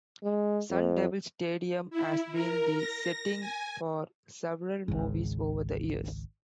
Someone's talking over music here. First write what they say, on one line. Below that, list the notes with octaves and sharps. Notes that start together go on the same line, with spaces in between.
Sun Devil Stadium has been the setting for several movies over the years.
G#3
F2
E4
A#4
A#6
G#5
G#1 C#2 G#2